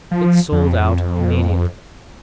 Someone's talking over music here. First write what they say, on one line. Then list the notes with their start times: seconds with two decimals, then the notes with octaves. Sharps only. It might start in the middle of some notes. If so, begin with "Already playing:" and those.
It sold out immediately.
0.11 F3
0.52 F2